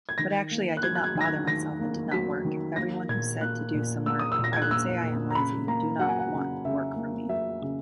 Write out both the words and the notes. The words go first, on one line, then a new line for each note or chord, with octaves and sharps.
But actually I did not bother myself and did not work, everyone who said to do some work, I would say I am lazy, do not want work from me.
G#6
D#3 A#6
A#3
F#6
F#3 G#6
F#6
G#6
D#3
A#6
G#6
D#3 A#6
A#3
F#3 B6
D#3
A#3 A#6
A#2 G#6
A#3 F#6
A#2
A#3 E6
D#6
E6
A#2
A#6
G#6
F#6
A#3 E6
A#2
A#5
C#3 B5
A#3 A#5
F#3 F#5
G#5
F#5
C#3
C#3 E5
A#3
F#3 E5
C#3